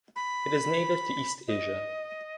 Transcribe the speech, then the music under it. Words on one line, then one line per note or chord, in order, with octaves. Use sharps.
It is native to East Asia.
B5
D#5